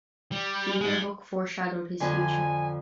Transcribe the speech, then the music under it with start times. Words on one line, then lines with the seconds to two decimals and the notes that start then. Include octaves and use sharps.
The yearbook foreshadowed his future.
0.32 G3
0.81 G#3 D#4
2.00 F2 D3 G#5